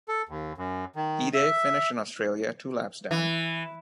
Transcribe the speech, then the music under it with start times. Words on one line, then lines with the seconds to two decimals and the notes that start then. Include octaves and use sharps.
Ide finished in Australia, two laps down.
0.08 A4
0.29 D#2
0.58 F#2
0.96 D#3
1.34 E5
3.11 E3